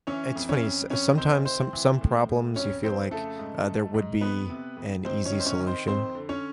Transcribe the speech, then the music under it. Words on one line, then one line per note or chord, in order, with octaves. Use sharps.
it's funny, s sometimes some some problems you feel like, uh, there would be an easy solution,
E3 C#4 C#5
F2
C#4 C#5
F2
F2 C#4 C#5
D#3 C4 C5
C3 C4 C5
E3
A2
A2
F2 C#4 C#5
F2 C4 C5
C#3 A3 A4
G#2
G#2
G#2
F2 B3 B4
C3
F2
G#2 C4 C5
C#4 C#5
D#3
C5
C#4 C#5
D#3
C4 C5
F2 C4 C5
D3
C#4 C#5